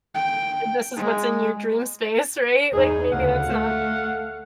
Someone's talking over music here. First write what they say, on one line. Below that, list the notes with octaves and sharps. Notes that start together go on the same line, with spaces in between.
and this is what's in your dream space, right? Like, maybe that's not
G5
G#3
E2 D#4 G#4
D2 C#3 A4 F5 F#5
A3